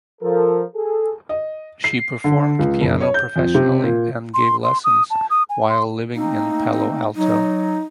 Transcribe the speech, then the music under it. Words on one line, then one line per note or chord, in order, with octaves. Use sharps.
She performed piano professionally and gave lessons while living in Palo Alto.
F3 A4 A#4
G#4 A4
D#5
C7
D3
C#2
F#1
C#5
G6
F2
C3
A#2
C6
C6
D#6
A5
D#6
G#5
C6
A3 A#3 C4 D#4
F#3 D#4